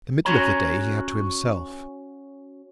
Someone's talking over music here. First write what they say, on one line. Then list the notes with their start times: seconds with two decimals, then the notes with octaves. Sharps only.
The middle of the day he had to himself.
0.25 C#4 F#4 C#5 A#5